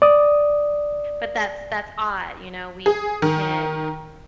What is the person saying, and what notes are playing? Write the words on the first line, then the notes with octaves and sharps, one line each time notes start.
But that's that's odd, you know, we can
D5 D#6
G#4
D#3